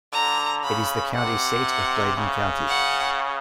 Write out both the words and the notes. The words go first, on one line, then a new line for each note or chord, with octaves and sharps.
It is the county seat of Bladen County.
D3 A#5
C#3 B5
C3 F#5
C#3
F#5